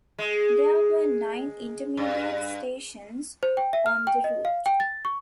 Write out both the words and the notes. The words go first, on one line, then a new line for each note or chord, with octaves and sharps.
There were nine intermediate stations on the route.
G#3
G2
C5
G5
E5
F6
G5
D#5
F5
G5
A6
C#6